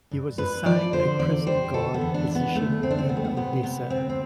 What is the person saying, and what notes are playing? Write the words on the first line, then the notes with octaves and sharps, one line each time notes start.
He was assigned a prison guard position in Odessa.
G2
G2 B4
F3 D5
D3 C5
E2 D5
G3 C5
D3 A4
B3
E2
D4
E2
B3
D2 A3
D2 C4
D4
C4
G3 B3
A3
B3
C3 B3
C3 B3
D2 C4
C4